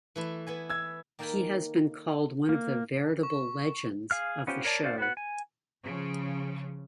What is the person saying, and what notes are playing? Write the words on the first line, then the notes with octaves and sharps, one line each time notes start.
He has been called one of the "veritable legends" of the show.
E3 A3 E4
B3 E4 G#5
E6 G#6
D#3 A#3 A4 G5 G#5 B5
A#3
C#6
G#4 F5 F6
B3 C#4 F4 G4 C5
A#4 C#5 D5 A5
D4 F#4 C5 D5 F5
B3 F#4 B4 F#5
G#5
C#3 F3